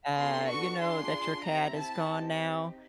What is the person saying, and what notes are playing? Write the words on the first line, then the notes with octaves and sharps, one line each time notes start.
Uh, you know, that your cat is gone now.
B3 D4 F#4 A4 C6
C#6
D4 F4 G#4 C6
C4 E4 G4 A#5
A5
C4 D#4 G4